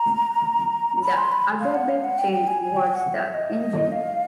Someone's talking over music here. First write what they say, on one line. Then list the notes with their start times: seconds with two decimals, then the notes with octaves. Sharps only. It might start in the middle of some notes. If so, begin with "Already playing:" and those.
The other big change was the engine.
Already playing: A#5
0.97 A#5
1.02 B5
1.17 C6
1.32 B5
1.60 F5
1.74 F#5
1.89 F5
2.04 F#5
2.19 G5
2.32 G5
2.47 G#5
2.62 G#5
2.77 G5
2.95 F#5
3.14 E5
3.34 D#5
3.92 F5